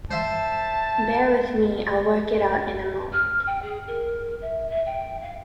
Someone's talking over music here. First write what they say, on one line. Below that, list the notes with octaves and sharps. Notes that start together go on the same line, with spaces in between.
Bear with me; I'll work it out in a moment.
C5 E5 A5
F6
G5
G#4
A#4
E5
E5
G5
F5